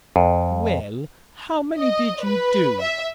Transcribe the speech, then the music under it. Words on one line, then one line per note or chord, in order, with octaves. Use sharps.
"Well, how many did you do?"
F2
D#5
B4
E5